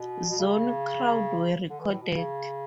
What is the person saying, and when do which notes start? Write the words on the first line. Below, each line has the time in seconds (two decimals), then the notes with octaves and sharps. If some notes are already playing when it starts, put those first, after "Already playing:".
Zone crowd were recorded.
Already playing: B2
0.30 B2
0.39 C#3
1.70 D3
1.80 E3
1.92 A2
2.02 B2
2.13 C#3